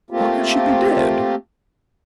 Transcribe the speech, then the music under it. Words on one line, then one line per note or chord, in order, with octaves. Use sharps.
"How can she be dead?"
A3 A#3 C4 F4 G4